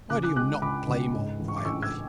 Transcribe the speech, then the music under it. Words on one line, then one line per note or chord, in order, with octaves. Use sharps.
Why do you not play more quietly?
C#2 D6 F#6
D6 F#6
G#3 D6 F#6
C#2 B5 D6
C#2
G#2
A1
C#6
D6
A1 C#6 E6
E6 G#6